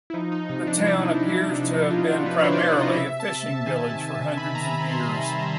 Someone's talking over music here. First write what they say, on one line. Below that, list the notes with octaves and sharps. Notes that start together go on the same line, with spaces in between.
The town appears to have been primarily a fishing village for hundreds of years.
E4
F3 D#4
D#4
C3 D#4
D4
F3 E4
D#4
F3 D#4
E4
C3 D#4
D#4
C3 F4
F#4
F3 B4
C#5
C5
D5
C3 C#5
D#5
C3 E5
A5
C3
A5
D#3 G#5
A5
C3
C3 B5
A#5
C3 B5
C6
G3
G3